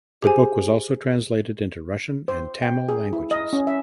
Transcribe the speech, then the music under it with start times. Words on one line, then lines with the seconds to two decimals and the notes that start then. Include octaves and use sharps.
The book was also translated into Russian and Tamil languages.
0.22 G4 G#4 C5 G#5
2.28 C5
2.62 G5
2.89 G#4
3.13 E4
3.31 D#5
3.53 C#4
3.67 E5